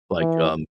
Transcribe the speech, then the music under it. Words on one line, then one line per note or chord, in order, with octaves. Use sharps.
Like, um
E3